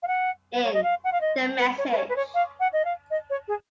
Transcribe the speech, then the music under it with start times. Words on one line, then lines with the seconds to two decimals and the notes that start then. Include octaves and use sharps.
In: The Message.
0.02 F5
0.07 F#5
0.53 B4
0.64 C#5
0.74 D#5
0.83 F5
1.04 F#5
1.12 F5
1.21 D#5
1.58 B4
1.78 C#5
1.92 B4
1.97 C#5
2.09 B4
2.16 C#5
2.34 F5
2.60 F#5
2.73 D#5
2.85 F5
3.10 D#5
3.30 C#5
3.48 G#4